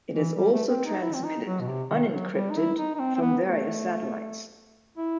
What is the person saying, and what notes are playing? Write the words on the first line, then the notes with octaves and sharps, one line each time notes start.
It is also transmitted unencrypted from various satellites.
E3
G3
A3
C4
D#4
E4
C4
D#4
F#3
B2
C3
D#3
F#3
G3
D#4
E4
D#4
D#4
C4
C4
B3
A3
E4